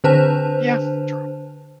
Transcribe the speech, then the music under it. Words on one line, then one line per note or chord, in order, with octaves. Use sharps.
Yeah, true.
D3 D4 B4 C5 A5